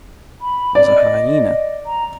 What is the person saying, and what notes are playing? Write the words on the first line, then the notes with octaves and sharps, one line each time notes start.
It was a hyena.
B5
D5
D#5
A#5